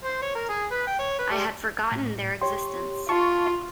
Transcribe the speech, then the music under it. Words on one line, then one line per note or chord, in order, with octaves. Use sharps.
I had forgotten their existence.
C5
C#5
A#4
G#4
B4
G5
C#5
B4
G3
A2
G4 C#5 C6
F4 A5 C#6